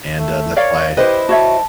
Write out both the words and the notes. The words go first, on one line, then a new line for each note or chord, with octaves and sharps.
and, uh, that's why
A3
A#4 C#5 D5 F5
E4 G4 B4 C5 D#5
F#4 C#5 E5 A5